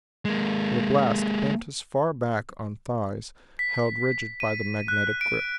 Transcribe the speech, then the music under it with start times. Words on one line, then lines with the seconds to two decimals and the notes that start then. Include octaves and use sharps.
The blast bent us far back on thighs held rigid by the magnetic grip.
0.25 G#3 A#3
3.59 B6
4.40 D#7
4.88 F#6
5.21 D7